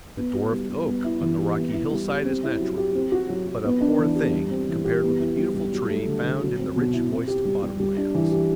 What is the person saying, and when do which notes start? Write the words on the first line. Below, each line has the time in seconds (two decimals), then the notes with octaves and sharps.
The dwarfed oak on the rocky hillside is natural, but a poor thing compared with the beautiful tree found in the rich, moist bottom lands.
0.17 B3
0.35 F#4
0.52 G3
0.69 G3
0.87 B3
1.04 E4
1.21 E3
1.38 G4
1.56 B3
1.73 E4
1.91 G3
2.08 G4
2.25 C4
2.43 E4
2.60 F#3
2.77 G4
2.95 C4
3.12 F#4
3.29 F#3
3.46 F#3
3.64 B3
3.81 D4
3.98 E3
4.15 G4
4.33 G3
4.50 C4
4.68 E3
4.85 G4
5.02 B3
5.20 E4
5.37 G3
5.54 G3
5.72 F#3
5.89 A3
6.06 D3
6.24 D3
6.41 F#3
6.59 C4
6.76 B2
6.93 E4
7.11 C4
7.27 G4
7.45 G3
7.62 G3
7.80 G3
7.97 D4
8.14 E3
8.32 G4